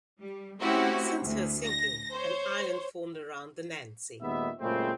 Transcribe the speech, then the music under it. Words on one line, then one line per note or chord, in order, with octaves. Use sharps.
Since her sinking, an island formed around the "Nancy".
G3
A3 C4 C#4 E4 F#4 G4
D2
A#6
C5 C#5
D#2 A#2 D#3 G#3 B3 E5
F#2 A#2 C#3 G#3 A3 C4